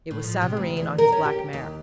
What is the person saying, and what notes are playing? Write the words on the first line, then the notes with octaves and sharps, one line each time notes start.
It was Savareen on his black mare.
A2
F3
C3
D2
E2
A#4
C#4
G4
D#2